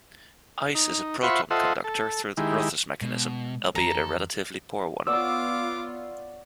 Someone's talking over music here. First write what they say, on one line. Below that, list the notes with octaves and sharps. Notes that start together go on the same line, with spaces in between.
Ice is a proton conductor through the Grotthuss mechanism, albeit a relatively poor one.
D#4
F4 C5 E5 F#5 B5 C#6
F4 A4 C5 D#5 E5 F#5
A4
D#3 G#3 E4 G4
B2 G#3
F2 E3 A4 A#5
B3 F4 C#5 D5 F#5 D6 E6